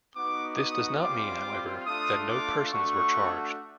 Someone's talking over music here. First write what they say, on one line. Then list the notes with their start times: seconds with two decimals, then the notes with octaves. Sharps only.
This does not mean, however that no persons were charged.
0.16 B3 D#4 F#4 D6
0.59 D#6
1.01 G3 C4 F4 D6
1.86 A3 D4 F4 D#6
2.29 D6
2.72 A3 D4 F#4 C#6